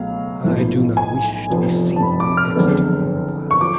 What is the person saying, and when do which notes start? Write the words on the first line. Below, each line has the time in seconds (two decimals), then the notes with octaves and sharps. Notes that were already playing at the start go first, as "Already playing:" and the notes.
"I do not wish to be seen in Exeter," he replied.
Already playing: C#2 B2 F#3 A3 F5
0.44 B1 A2 F3 B3
0.97 G#5
1.50 F1 F2 F3 B3
1.96 A5
2.02 B5
2.20 D6
2.37 F6
2.55 F#1 F2 D3 G#3 B3
3.51 C#6
3.61 F3 D6